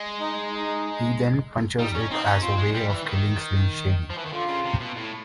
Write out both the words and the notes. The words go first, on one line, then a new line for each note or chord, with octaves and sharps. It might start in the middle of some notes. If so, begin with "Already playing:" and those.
He then punches it as a way of "killing" Slim Shady.
Already playing: G#3
D#4
D#4
G3 D#4
C#4
C4 D#4
C#4
C4 F4
G#3
G3
E3
D#3
F3
E3
D#3
D3 F4
C#3
C3
B2
A2